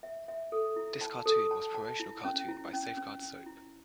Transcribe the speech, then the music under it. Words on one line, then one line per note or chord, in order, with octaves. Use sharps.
This cartoon was promotional cartoon by Safeguard Soap.
E5
E5
A4
E4
A5
A4
A5
A5
E4
C#4
E4
C#4
C#4
C#4
E4